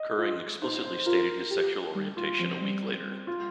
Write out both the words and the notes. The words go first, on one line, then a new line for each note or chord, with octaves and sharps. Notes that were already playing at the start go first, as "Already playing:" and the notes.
Koering explicitly stated his sexual orientation a week later.
Already playing: D#5
F4
D#4 C5
C5
F4 A#4
G4
G3
F4
F3 C4
G3
F4